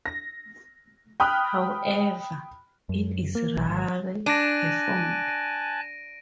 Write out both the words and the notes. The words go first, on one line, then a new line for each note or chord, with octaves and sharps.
However, it is rarely performed.
A#6
G5 B5 D#6 F6 F#6
F#2
A#3
B1
G#1
D4 G#5 A5 F#6 A#6 D7 D#7